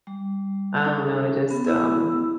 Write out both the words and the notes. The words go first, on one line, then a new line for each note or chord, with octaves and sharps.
I don't know, I just, um,
G3
C#4 D#4 A4
B3
B3 E4 E6